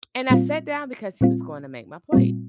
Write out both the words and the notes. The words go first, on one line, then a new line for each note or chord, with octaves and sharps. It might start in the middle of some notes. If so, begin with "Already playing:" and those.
and I sat down because he was going to make my plate,
A#2 G3 C4 F4
A#2 G3 C4 F4
A#2 G3 C4 F4